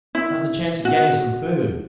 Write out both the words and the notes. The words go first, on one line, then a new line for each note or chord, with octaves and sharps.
"How's the chance of getting some food?"
E4
F#4